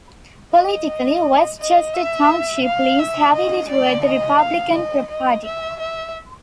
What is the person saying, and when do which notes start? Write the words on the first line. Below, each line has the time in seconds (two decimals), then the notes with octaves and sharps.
Politically, West Chester Township leans heavily toward the Republican Party.
0.54 D#5
1.59 D#5
1.94 E5
2.64 F5
2.99 E5
3.34 D#5
3.70 D5
4.05 D#5
4.39 F5
4.75 D#5
5.10 D#5
5.45 E5
5.80 E5